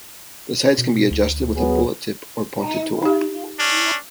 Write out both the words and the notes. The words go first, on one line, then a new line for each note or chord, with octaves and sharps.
The sights can be adjusted with a bullet tip or pointed tool.
B2
D2
F#3 B3 G#4
D#4 G4
C#4 D4